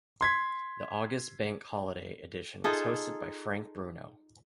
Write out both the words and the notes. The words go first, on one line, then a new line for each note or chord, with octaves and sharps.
The August Bank Holiday edition was hosted by Frank Bruno.
C6 G#6 B6
D#4 F4 G#4 A4